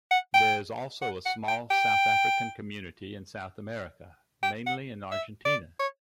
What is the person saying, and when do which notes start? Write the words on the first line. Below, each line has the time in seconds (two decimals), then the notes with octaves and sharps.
There is also a small South African community in South America, mainly in Argentina.
0.11 F#5
0.34 G5
1.02 F#5
1.26 F#5
1.48 G5
1.71 G5
4.43 G5
4.66 F#5
5.11 E5
5.45 D5
5.80 C#5